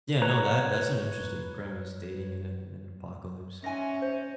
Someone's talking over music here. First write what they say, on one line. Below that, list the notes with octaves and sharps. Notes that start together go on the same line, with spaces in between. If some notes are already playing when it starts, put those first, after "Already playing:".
Yeah, no, that that's an interesting premise, dating in a in an apocalypse.
B4 C#5 A#5
G#2 C#4 E5 G#5 A#6
C5